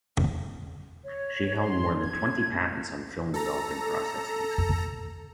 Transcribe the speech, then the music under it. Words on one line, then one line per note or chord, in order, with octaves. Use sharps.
She held more than twenty patents on film developing processes.
C#5
C6
G#6
A4 A#5